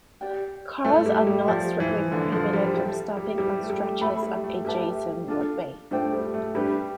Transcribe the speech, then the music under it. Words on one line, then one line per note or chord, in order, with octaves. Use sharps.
Cars are not strictly prohibited from stopping on stretches of adjacent roadway.
G4 D5 G5
A3 E4 B4 D5 A5
G3
G3
F3 G4 D5 A5
E3
D3 B4 D5 F5 A5
F3
G3
G3 A4 C5 E5 G5
G3
G3 E4 G4 B4
A3
G3
A3 A4 E5 B5
G3
A3
G3 G4 B4 E5 A5
D4 F4 A4
A3 D4 F4 C5 G5
G3
A3
G3 D4 G4 B4